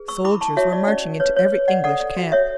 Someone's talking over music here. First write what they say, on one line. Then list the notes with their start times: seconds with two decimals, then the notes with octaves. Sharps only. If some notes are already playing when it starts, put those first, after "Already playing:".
Soldiers were marching into every English camp.
Already playing: G#4 B4
0.08 C#6 E6
0.24 E4 B5 D6
0.41 A5 C#6
0.56 F#4 C#5 E5
0.73 D5
0.88 C#4 D5
1.20 B4 C#5
1.37 C#5
1.52 B4
1.68 D5 F#5
1.84 A4 D5 F#5
2.00 D5
2.17 F#4
2.32 C#5 E5